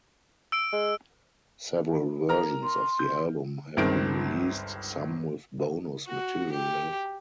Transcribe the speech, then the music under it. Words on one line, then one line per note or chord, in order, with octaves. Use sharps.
Several versions of the album have been released, some with bonus-material.
E6 D7
G#3
A#4 A#5 F6
C6
G6
G1 C#2 D#3 C4 D7
F#4
G4